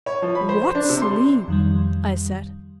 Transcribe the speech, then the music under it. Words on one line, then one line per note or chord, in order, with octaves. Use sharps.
"What sleep!" I said.
C#5
F3
B5
C5
C5
D4
C3
C6
F2 D#3 G3